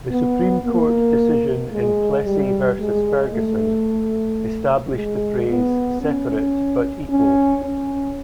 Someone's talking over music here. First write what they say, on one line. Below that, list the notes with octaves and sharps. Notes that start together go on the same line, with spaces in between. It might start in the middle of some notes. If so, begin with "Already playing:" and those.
The Supreme Court decision in "Plessy versus Ferguson" established the phrase "separate but equal".
B3
A#3
G#3
G3
G#3
A3
G#3
B3
C#4
C#4
C#4